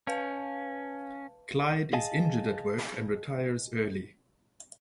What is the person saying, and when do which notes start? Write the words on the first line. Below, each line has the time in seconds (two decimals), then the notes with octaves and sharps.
Clyde is injured at work and retires early.
0.07 C#4 B4 F5 A5
1.93 G#4 D#5 F5 G#5 A5